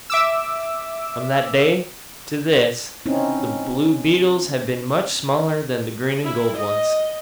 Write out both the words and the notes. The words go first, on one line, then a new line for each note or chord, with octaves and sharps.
From that day to this the blue beetles have been much smaller than the green and gold ones.
E5 D6 E6
C4 C#4 D#4 E4
E4
D#5